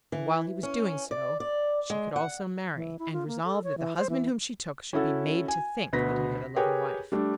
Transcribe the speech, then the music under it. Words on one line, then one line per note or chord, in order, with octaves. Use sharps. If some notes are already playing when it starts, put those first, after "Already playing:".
And while he was doing so, she could also marry, and resolve that the husband whom she took should be made to think that he had a loving wife.
E3
C#4
D5
D5
G#3
F#5
E3
E4
F4
A#3
A4
C#5
E3
C5
E3
C#4 E4 F#4 A4
G#5
D2 B2 B3 A#6 B6
G4 G#4 A#4 B4 C#5 G5
G3 A3 D4